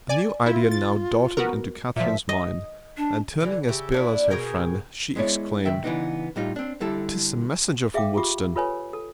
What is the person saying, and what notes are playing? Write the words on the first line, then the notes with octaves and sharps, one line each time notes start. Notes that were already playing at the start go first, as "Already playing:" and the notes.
A new idea now darted into Catherine's mind, and turning as pale as her friend, she exclaimed, "'Tis a messenger from Woodston!"
D5 G#5
E4 F4
A6
B3 F#4 A#4
A#2 F3 E5
D#5
D4
D3 E3
C#3 G4 E5
A#3 D4 E4
B2 G#4 A#4 G5
G#3 B3 E4 C#5 D5
C#2 F#2 D#3 B4 E5 G5
C#3 E3 F#3 B3 D4 D#4
A2 G3 D#4 F4
C4 D4
D3 G3 E4 A4
G#4 E5 F5 G5 D6
F4 G4 D6
F4 A4 B4 C#5 G#5
A4